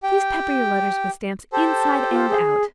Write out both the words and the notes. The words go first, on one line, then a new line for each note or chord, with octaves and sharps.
PLEASE pepper your letters with stamps, inside and out.
G4 G5
G4 A4 C5 A5
F4
G#4